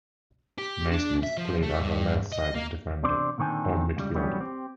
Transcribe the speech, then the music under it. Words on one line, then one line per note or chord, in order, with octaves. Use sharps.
Naysmith played as a left-sided defender or midfielder.
G4
D4
E5
F3
A3
G2
D#5
A#3
E2 C3 C4 D4 D5 C6
A#2 D3 D#3 C4 G#5 A5
C#2 G3
E3 F#3 G3 B3 C#4
C4 G4